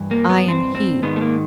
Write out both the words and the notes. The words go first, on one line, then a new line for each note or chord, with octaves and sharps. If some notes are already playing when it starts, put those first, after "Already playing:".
"I am he."
Already playing: G2 E3
A#3
B3
C4
C4
G#2 D#3 B3
A3
A#3